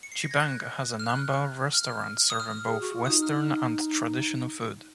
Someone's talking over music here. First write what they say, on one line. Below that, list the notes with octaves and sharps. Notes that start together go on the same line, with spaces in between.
Tchibanga has a number of restaurants serving both Western and traditional food.
C#7
C7
A#6
G#6
F#6
F6
F#6
F6
D#6
F6
G#4
F#4
F4
D#4 D#6
F6